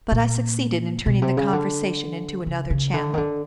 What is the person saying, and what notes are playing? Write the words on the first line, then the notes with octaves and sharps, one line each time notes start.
But I succeeded in turning the conversation into another channel.
A#2
B2
C3
C#3
D3
C#3
C#3
D3
D#3
D3